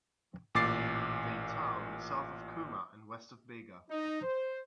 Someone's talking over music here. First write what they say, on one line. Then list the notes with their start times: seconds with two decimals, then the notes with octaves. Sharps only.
The town is south of Cooma and west of Bega.
0.55 A1 A#2 D6 A6 C7
3.90 D#4
4.22 C5